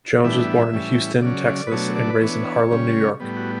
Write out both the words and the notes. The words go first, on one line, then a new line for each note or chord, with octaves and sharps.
Jones was born in Houston, Texas and raised in Harlem, New York.
A2 E3 G3 B3 D4 E5
A2 E3 G3 C#4
C#3 F#3 C#4 D5
D5
B4
B2 F#3 A3 D4 C#5
D5
B4
E3 B3 D4 C#5
C#3 G3 C#4
A2 G3 B3
F#4